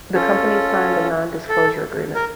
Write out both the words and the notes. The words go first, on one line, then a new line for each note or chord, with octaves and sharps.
The companies signed a non-disclosure agreement.
C#4 F4 A4
A4
A#4